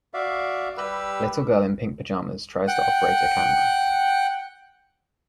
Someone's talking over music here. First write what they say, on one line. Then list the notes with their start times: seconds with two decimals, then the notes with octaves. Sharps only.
A little girl in pink pajamas tries to operate a camera.
0.14 F#4 D5 E5 F5
0.77 G3 G4 B4 E6
2.68 F#5 G5 F#6